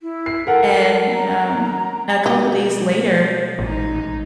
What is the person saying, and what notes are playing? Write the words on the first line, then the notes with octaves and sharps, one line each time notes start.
And, um, a couple days later,
E4
C7
A4 A#4 F#5
A#5
B2 G4 D#5
A1 G#3 D#4